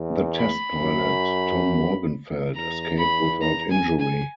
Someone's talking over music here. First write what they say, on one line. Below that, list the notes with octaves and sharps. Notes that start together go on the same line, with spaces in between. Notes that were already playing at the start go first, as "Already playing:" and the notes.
The test pilot, Tom Morgenfeld, escaped without injury.
Already playing: E2
B5
F#2
E2 A#5
B5
A#5
G#5
G#5